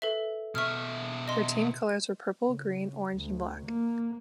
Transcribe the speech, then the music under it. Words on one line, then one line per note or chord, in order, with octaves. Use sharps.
Their team colours were purple, green, orange and black.
A4 B4 E5
B2 E5 C#6 F6
D#5 C6
C#3
D2
A#3